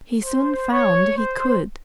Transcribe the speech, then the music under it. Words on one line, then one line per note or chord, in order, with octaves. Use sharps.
He soon found he could.
C5
C#5
C5